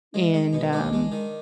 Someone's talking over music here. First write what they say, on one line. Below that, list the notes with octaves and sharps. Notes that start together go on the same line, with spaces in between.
and, um
G#3
G#3
B2
G#3 D4
G#3
D#3